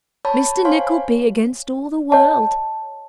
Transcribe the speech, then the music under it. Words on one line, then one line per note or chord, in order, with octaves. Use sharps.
Mr Nickleby against all the world.
C#5 A5 B5
C5 C#5 F5 G#5 C6
C#5 D#5 A5